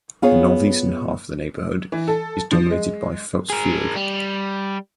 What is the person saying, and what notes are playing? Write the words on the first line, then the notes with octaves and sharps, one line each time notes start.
The northeastern half of the neighborhood is dominated by Felts Field.
B3 F4 G#4 B4 C#5
E3
A4
F3
G#3
G#4 A#4
G3